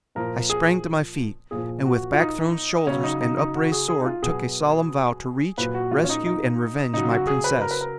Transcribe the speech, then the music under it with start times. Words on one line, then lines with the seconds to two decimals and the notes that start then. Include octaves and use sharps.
I sprang to my feet, and with back-thrown shoulders and upraised sword took a solemn vow to reach, rescue, and revenge my Princess.
0.15 A#2 F3 A#4
0.50 G#4
1.51 A#2 F3 G#4
1.85 F#4
2.13 F4
2.19 D#4
2.86 C#3 F#3 C#4
3.03 D#4
3.21 D#4
3.37 D#4
3.55 F#4
3.72 G#4
3.88 G#4
4.00 D#4
4.06 F4
4.22 B2 F#3 G#4
5.58 A#2 F#3 B4
5.74 F#4
5.91 F4
6.04 C#4
6.09 D#4
6.26 D#4
6.93 C#3 F#3 D#4
7.11 F#4
7.27 G#4
7.44 B4
7.61 A#4
7.71 B4
7.81 A#4